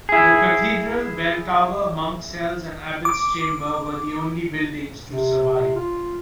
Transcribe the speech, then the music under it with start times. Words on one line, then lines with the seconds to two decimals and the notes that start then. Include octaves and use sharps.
The cathedral, belltower, monk cells and abbot's chamber were the only buildings to survive.
0.09 E4 G#4
3.05 D6
5.08 C3
5.76 F4